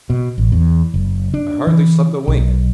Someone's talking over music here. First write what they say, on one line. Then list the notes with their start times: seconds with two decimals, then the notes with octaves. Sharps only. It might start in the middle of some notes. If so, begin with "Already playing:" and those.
"I hardly slept a wink."
0.10 B2
0.38 A1
0.52 E2
0.94 F#1
1.34 D4
1.67 E3
2.28 B1